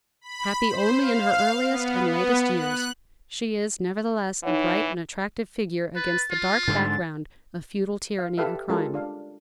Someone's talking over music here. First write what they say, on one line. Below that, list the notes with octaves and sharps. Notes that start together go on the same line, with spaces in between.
Happy only in her earliest and latest years, she is, nevertheless, a bright and attractive figure against the dark background of feudal tyranny and crime.
B5
C5
F5
B3
B3
F#6
E3 D#4 C#5 F#5
B4 A6
F4 A6
G#2 D3
F5
G4 A4 B4 E5 F5
G#3 C#4 F4 G4 A4 A#4
D4 F5